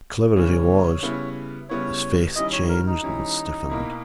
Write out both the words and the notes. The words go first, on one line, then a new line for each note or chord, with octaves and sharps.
Clever as he was, his face changed and stiffened.
C#3 E3 G3 B3 C#5
C#3 G3 B3 E4
C#3 G3 B3 E4 C#5
D#3 G3 C#4 E4 D#5
C#5
A#4
D#4
D#3 G3 C#4 E4
B2 A#3 E4